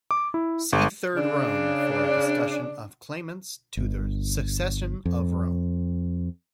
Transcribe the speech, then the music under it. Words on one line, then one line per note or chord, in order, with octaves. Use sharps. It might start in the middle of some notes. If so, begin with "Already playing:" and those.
See Third Rome for a discussion of claimants to the succession of Rome.
D6
E4
G1
C#3 D4
G1
F2